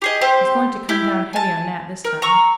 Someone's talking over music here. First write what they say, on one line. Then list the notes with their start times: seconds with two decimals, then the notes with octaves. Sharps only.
He's going to come down heavy on Nat this time.
0.02 G4 G#4 D#5
0.21 C4 G4 C5
0.89 E4 G4
1.33 G#5 A5
2.05 A#4
2.22 A#5 C#6 E6